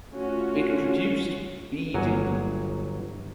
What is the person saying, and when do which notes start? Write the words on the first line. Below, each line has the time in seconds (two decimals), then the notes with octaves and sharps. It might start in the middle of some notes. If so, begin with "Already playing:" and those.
It produced beedi.
0.13 A3 C#4 F4 F#4
1.94 G1 F#3 F#5 G#5 A#5